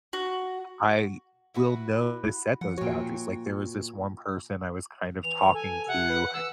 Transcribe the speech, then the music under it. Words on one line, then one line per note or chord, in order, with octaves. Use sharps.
I will know to set those boundaries, like there was this one person I was kind of talking to,
F#4
E4 F#4 B4
F3 F#5
A#2 F#4 C#5 G5 G#5
E3 F7
A4 G#5
C3 F#5
B4
E3 E6